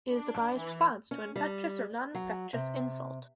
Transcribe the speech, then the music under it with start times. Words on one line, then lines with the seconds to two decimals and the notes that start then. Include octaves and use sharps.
It is the body's response to an infectious or noninfectious insult.
0.11 D4
0.57 E3
1.11 C#4
1.36 G3
2.15 F#3
2.53 C3